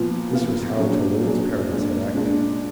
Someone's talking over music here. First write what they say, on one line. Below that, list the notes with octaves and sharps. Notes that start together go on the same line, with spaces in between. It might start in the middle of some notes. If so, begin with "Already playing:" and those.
This was how Toline's parents had acted.
Already playing: A#2 F3 B3 F4
A#2 F3 B3 F4
A#2 F#3 D4 G#4
A#2 F#3 D4 G#4
A#2 G#3 D4
A#2 G#3 D4